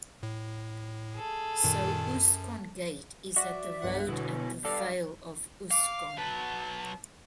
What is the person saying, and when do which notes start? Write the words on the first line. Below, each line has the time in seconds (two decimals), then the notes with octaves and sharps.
So Usc-con gait is at the Road at the vale of Usc-con.
0.23 A2
1.14 G#4 A4
1.64 F#2 A#2 D#3
2.17 F#2
3.36 F#4 D5 E5
3.82 B1 G2 F#5
4.08 B2 D3 F#3 E4
4.65 G2 A4 D5 F5
5.71 F5 D6
6.18 F#3 B4 A5